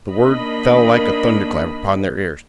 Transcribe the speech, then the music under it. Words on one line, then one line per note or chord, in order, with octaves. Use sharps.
The word fell like a thunderclap upon their ears.
D#3 A#3 D4 D#5 B5